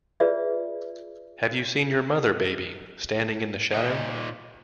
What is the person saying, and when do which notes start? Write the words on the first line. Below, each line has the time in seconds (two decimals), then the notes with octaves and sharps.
Have You Seen Your Mother, Baby, Standing in the Shadow?
0.20 F4 G#4 B4 C#5 D5 E5
3.73 A#2 D#4